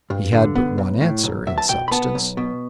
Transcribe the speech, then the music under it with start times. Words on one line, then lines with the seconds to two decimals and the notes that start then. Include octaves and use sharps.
He had but one answer, in substance.
0.10 G2
0.33 D3
0.55 B3
0.78 B1
1.01 A2
1.24 B1
1.47 B1 E5
1.58 A5
1.69 B2 G5
1.88 B5
1.91 B3 A5
2.15 B1
2.37 B2